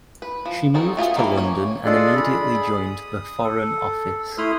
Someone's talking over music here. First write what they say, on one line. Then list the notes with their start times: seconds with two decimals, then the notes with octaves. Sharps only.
She moved to London and immediately joined the Foreign Office.
0.22 B4
0.46 F3
0.74 C4 D#4 F#4 G#4 A4
0.97 A3 F4 F#4 G#4
1.16 D#3 E3 A#3 C#4
1.37 C#5
1.86 D4 F4 G#4 A4 D5 D#5
2.15 G#4 B5
2.86 D#6
3.44 A4
4.38 A3 E4 B5 C6 D#6 F6